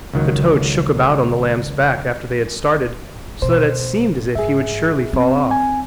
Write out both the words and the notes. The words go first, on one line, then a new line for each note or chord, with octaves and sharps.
The toad shook about on the lamb's back after they had started so that it seemed as if he would surely fall off.
C#2 D#3 F#3
B2 C5
G#2 G#4 E5
C4
G#5